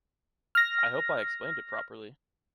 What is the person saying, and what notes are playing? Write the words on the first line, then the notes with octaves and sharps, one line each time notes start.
I hope I explained it properly.
F6 A#6